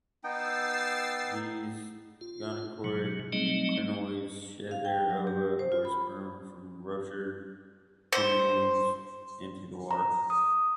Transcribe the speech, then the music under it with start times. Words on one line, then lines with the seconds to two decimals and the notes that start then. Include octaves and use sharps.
These gonochoric crinoids shed their ova or sperm from ruptured pinnules into the water.
0.24 B3 D#4 G5 E6 A6 C7
2.21 F4
2.84 B2 F#3
3.33 F#3 G3 A3 C4 D#4 D#5
4.71 F5
4.85 G5
5.10 F#3
5.27 G4
5.59 C5
5.72 F4
5.85 B5
8.13 C5
9.91 A#5
10.30 D#6